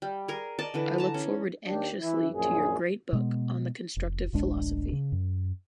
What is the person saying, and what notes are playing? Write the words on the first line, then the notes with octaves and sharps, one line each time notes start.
I look forward anxiously to your great book on the constructive philosophy.
G3
G#4 A#4
D5 D#5 A5
D3 E3 B4
A5 A#5
C#4
D#2 D4 G4
E3 E4
A#1 F#2 G#4
B2 G#3 B3
F1
D1 A1 G#3 D4
C#3
F#2